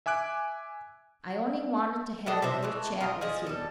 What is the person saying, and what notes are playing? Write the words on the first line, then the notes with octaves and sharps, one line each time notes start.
I only wanted to have a little chat with you.
E5 G#5 D6 F#6 D7
E3 D4 A4 D#5
C3 D#4 C5 E5
E3 G#3 A3
F4 D5 D#5
F3 G#4 D#5
G3 A4